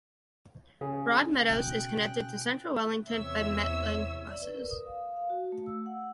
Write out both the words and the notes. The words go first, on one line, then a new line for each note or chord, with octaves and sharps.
Broadmeadows is connected to central Wellington by Metlink buses.
C#3 G#4
B2 G5 F#6
E2 C3 C#5 E5 E6
D5
B4
A#4
D#6
F5
F5
F#4
A3
E6
F#5